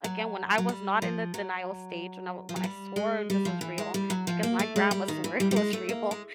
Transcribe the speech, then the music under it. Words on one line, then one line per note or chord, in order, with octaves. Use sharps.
again, when I was not in the denial stage, when I when I swore this was real, because my grandma swore it was real,
F#3
F#3
G3
F3
F#3
F3
F#3
G3
G#3
G3
F3
E3
G#3
G3
F#3
F3
A#3
A3
G#3
G3
D#3
E3
G3
G3
G#3
A3
A#3
G#3